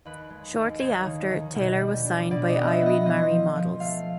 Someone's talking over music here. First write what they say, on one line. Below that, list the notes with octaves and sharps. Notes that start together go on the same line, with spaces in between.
Shortly after, Taylor was signed by Irene Marie Models.
D#2 B4
G#3
D#2
D#2 C#5
D#3
D#3
B2
G3
D4
B2 D5
D#5
B3
E5
B3
D#5
F3 D#5
F3
F3
A3 F5